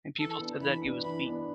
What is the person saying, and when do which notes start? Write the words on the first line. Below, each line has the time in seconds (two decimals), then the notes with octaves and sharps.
And people said that he was weak.
0.19 E3 A4
0.40 B3 D4
0.61 E3 B5
0.82 B3 D4
1.04 E3 B5
1.24 B3 D4